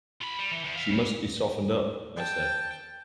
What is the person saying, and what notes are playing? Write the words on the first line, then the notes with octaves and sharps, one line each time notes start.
"She must be softened up," I said.
F4 B5
G3
E3
E2
E5 F5
C#3
G5 A5